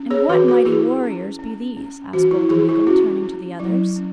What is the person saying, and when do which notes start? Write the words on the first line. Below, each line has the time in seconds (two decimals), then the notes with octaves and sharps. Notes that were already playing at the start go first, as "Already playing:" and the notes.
'And what mighty warriors be these?' asked Golden Eagle, turning to the others.
Already playing: C#4
0.10 G#4 C#5
0.29 E3 F#4 B4
0.48 F#4 B4
0.65 E3 E4 G#4
1.03 C#4
1.39 C#4
1.77 C#4
2.13 E3 F#4
2.31 E4
2.49 E3 E4 G#4
2.69 E4
2.87 C#4 F#4
3.23 C#4
3.59 F#3 E4
3.96 C#4